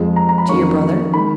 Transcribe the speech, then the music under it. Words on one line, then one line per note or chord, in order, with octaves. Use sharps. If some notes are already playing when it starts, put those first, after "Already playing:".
"To your brother?"
Already playing: F2 F3 G#3
A#5
A#5
B5
F2 D#3 F#3 A#3 C#4 C#6
D#3 G#3 B5